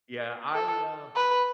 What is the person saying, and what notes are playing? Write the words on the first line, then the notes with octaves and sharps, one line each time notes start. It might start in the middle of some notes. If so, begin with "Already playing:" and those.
Yeah, I, uh
A4
B4